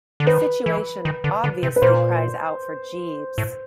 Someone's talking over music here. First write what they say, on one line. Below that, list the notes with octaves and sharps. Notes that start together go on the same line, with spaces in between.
The situation obviously cries out for Jeeves.
D3
D#3 B4
E3
D#3
D3
D3
C3
B4
A#2 C5
A2